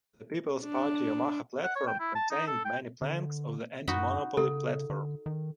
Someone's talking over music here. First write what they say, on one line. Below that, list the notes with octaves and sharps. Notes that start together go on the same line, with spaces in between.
The People's Party's Omaha Platform contained many planks of the Anti-Monopoly platform.
D4
F#5
C#5
G5
E4
A5
D#4
A4
G5
D3
F#2 D#4 F#4 B5
C#3 A4
D3
D#3